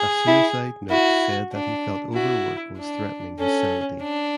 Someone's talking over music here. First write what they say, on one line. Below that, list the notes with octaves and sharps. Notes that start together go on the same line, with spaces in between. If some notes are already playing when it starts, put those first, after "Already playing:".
A suicide note said that he felt overwork was threatening his sanity.
Already playing: G#4
E4
E4 F#4
D4
E4 F#4
D4
C#4 A4
D4